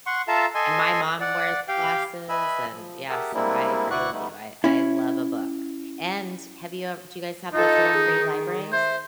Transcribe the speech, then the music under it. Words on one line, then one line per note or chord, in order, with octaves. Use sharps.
And my mom wears glasses and Yeah, so I agree with you. I I love a book, and have you ev Do you guys have those little free libraries?
F#5 C6 C#6
F4 A4 E5 F5 A5 A#5
A4 D#5 G#5 C6
D5 F#5
G4 F5 G5
B4 D#5 E5 G#5 B5 E6
F3
G4 G#4 A#4 E5 F#5 A5
G3 G#3 A#3 C4 D4 E4
D2 E4 D5 F#5 C#6 F#6
G3 A3 B3 D#4
C#4 E4
D#4 F4 A4 D#5
D#3 G#4
C5 E5